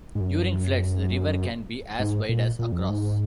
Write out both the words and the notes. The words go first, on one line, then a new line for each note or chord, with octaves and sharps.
During floods the river can be as wide as across.
G#2
F#2
G#2
A#2
A#2
F2
F#2
G#2